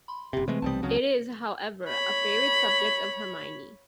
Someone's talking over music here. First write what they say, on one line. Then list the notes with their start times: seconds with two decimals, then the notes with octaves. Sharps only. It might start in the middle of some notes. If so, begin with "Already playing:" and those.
It is, however, a favourite subject of Hermione.
0.08 B5 C6
0.33 F#1 C3 G4
0.48 C3 E3 G#3 A3 C4 B4
0.62 B1 C3 G3 A5 D#6
0.83 C#2 C#3 F#3
1.87 C#5 B5